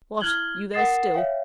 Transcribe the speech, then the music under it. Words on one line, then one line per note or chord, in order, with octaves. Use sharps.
'What! you there still!'
E4 F6 F#6 G#6 F#7 G7
A#4 F#5 D#6 A6 C7 E7
C#5 E5 F5 G5